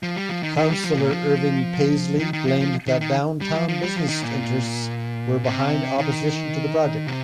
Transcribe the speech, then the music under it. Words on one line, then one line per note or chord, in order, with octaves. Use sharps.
Councillor Irving Paisley blamed that downtown business interests were behind opposition to the project.
F3
G3
F3
D#3
D#3
G3
F3
A#2
F3
D#3
D#3
F3
F3
D#3
D#3
G3
F3
F3
G3
F3
D#3
A#2
C3
D#3
C3